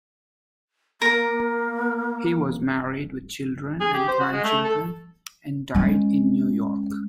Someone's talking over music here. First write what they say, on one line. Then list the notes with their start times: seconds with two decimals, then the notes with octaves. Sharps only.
He was married with children and grandchildren, and died in New York.
1.02 A#3 A#4
3.80 G#4
3.94 G4
4.08 C5
4.20 F#4
4.33 G#3
4.44 A3
4.64 A4
5.75 G#3 C#4